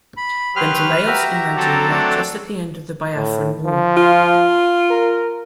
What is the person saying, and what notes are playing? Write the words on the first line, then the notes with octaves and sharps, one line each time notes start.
Then to Lagos in Nigeria just at the end of the Biafran War.
B5
F#3 G4 B4 C6 F6
F#4 G4 E5 A#5
F#3 C4 A4 D5
A3 D4 F#5
A2
F3
F4
A#4